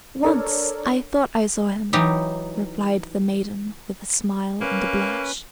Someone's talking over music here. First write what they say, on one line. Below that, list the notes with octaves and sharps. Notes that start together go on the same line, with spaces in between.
"Once I thought I saw him," replied the maiden, with a smile and a blush.
D4 A4 A#4 C#5
E3 F#3 D#4 G4
A#3 C#4 B4